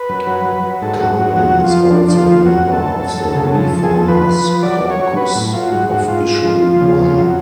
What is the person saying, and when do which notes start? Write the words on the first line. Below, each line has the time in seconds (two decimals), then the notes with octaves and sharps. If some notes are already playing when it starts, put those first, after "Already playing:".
Carlin is also a member of the ReFormers Caucus of Issue One.
Already playing: B4
0.09 F#2
0.27 F#3
0.45 F#3
0.64 F#3
0.82 G#2 A4
1.00 G#2 F#4
1.18 F#3 F#4
1.37 F2 F#4
1.54 F2
1.64 F4
1.72 F3
1.91 F2 D4
2.07 F3 D4
2.18 F4
2.26 F2
2.45 F#2 F#4
2.63 F#2
2.72 A4
2.81 F#2
3.00 F#2
3.18 F#2
3.35 C#3
3.54 F2 A4
3.72 F2
3.83 G#4
3.90 F2
3.96 A4
4.08 F3 B4
4.26 F3
4.45 F3
4.63 F#3 D5
4.81 F#3
4.90 C#5
5.00 F#3
5.17 F#3 B4
5.35 A2
5.53 F#3 F4
5.71 G#2 F#4
5.89 G#2 F#4
6.08 G#2 F4
6.26 G#2
6.44 F3
6.62 F3
6.81 C#3
6.98 F2
7.17 F#3